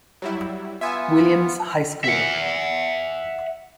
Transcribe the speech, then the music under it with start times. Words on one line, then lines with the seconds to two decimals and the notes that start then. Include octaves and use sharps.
Williams High School.
0.22 F#3 G3 E4
0.81 B3 F4 E5 G#5
2.04 E5 F#5